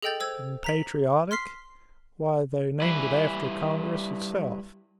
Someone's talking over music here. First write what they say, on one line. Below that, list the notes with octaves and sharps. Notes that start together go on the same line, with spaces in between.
And patriotic?--why they named it after Congress itself.
G#4 A4 D#5 G5 G6 A6
C5 E6 G#6
A#5 B6 F#7
C6 F6 B6 C7
G3 E4 B4